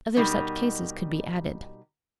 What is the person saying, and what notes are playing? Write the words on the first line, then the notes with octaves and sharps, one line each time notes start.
Other such cases could be added.
B2 G3 D#4 A#4